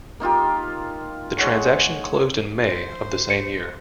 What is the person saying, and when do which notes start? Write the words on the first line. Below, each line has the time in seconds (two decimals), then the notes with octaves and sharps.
The transaction closed in May of the same year.
0.20 A#3 D#4 F4 G4
1.38 G#3 C#5 F#5 C#6
2.63 C5
3.30 C#7